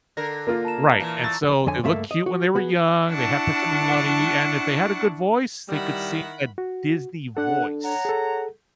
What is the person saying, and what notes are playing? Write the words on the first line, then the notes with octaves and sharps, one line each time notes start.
Right, and, so, they looked cute when they were young, they had personality, and if they had a good voice, they could sing a Disney voice.
D3 A#4 A#6
A#3 F4
A5 A#5 E7
A#2 E3
C#6 E6 A6
F2 D3 C#5 G#5
C#2 G2 A3 A#3 E5
D#5
F#4
B3 F#4 G#4
D4 E4 F#5 A5 C#6
D#3 G3 E4 F#5 B5
F#4
D4 A4 F#5
C#5 F#5 A#5
G#4 A4